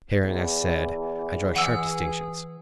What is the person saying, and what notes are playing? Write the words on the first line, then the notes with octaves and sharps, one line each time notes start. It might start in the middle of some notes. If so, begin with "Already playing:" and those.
Herein, as said, I draw sharp distinctions.
E2
E3 G#4 F#5 E6